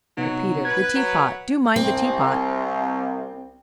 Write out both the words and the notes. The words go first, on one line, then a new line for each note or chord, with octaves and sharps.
"Oh, Peter--the teapot--do mind the teapot!"
C3 F#3 B3 D#4
B4 G#6
F#3
C2 C4